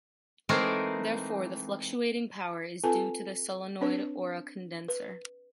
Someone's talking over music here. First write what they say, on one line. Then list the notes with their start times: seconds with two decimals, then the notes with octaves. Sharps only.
Therefore, the fluctuating power is due to a solenoid or a condenser.
0.49 E3 G#3 A3 C4 D#4 A#4
2.84 C4 F4 A4 B4 G#5 A5
3.81 C4 D4 B4 C#5
4.88 B4